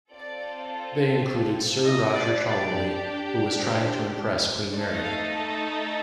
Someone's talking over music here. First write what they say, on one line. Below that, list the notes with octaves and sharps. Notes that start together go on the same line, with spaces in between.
They included Sir Roger Cholmeley, who was trying to impress Queen Mary.
C4 F4 A4 D5
D#5
D5
D4 G4 D5
C5
A3 D#4 A4 D5
F5